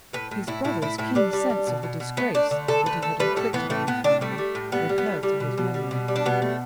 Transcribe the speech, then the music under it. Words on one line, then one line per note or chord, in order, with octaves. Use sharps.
His brother's keen sense of the disgrace that he had inflicted on the family recurred to his memory.
A2 B4
A2
A2 E4
A2 E4
A2 E4
A2 E4
G3 D4
G3
G3
B2
B2
B2
A3 B3
A3 D4
D3
D3 A4
A3 B4
A3 A4
G3 B4
A2 A4
E3 B3
A2 A3
A2 B3
A2 D4
G3 A3
G3
A2
G3 B3
G3
B3
A2
G3
B2
B2
G3
B2
G3
D4
B2 B3
A3